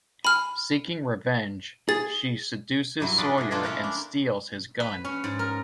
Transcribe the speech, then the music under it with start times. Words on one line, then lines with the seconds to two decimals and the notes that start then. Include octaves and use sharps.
Seeking revenge, she seduces Sawyer and steals his gun.
0.25 G#5 B5 F6
1.89 G#4 A6
3.00 G2 F#3 E4
3.18 D4 F4 F#4 G#4 B4 D5
3.38 D3 A3
3.51 B2 F#3 A3 D4 F4
3.63 A3 C#4 E4 A#4
3.84 D4
4.80 B4
5.05 C#4
5.24 G#2
5.39 A#4